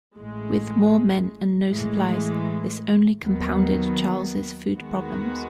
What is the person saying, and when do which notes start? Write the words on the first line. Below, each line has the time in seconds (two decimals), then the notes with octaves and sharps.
With more men and no supplies, this only compounded Charles's food problems.
0.14 A1 A2 G#3
1.68 A2 E3 G#3
3.22 D#2 D#3 F#3 B3
4.76 D#2 D#3 G#3 B3 F#4